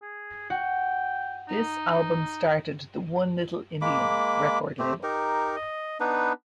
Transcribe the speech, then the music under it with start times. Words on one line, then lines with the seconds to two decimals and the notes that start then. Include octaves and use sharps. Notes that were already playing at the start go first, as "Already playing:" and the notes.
This album started the One Little Indian record label.
0.02 G#4
0.50 F#4 F#5 G5
1.49 D#4
3.82 G#3 A#3 B5 D6
4.79 A3 C4 G4
5.03 D#4 G4 A#4
5.56 D#5
6.00 B3 D4 D#4 B4